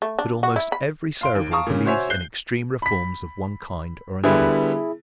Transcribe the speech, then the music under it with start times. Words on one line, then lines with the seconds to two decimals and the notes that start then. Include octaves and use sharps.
But almost every Cerebral believes in extreme reforms of one kind or another.
0.02 A3
0.19 D4
0.43 F#4
0.56 E4
0.72 B5
1.21 F5 C6 D7
1.35 D#2
1.51 F5 A5 A#5 C#6 D#6
1.67 A#2 C#3
1.85 F#4 C5 C#5 E5 G#5
2.10 F#6 G6 C7 G7
2.82 B5 B6
4.24 D3 G3 B3 E4 G#4